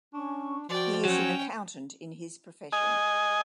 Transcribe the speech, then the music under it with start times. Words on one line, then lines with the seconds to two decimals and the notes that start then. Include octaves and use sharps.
He is an Accountant in his profession.
0.14 C#4 D4 C#6
0.69 F3 F#4 D5 G5
1.05 F#3 C#4 G5
2.73 D#5 G#5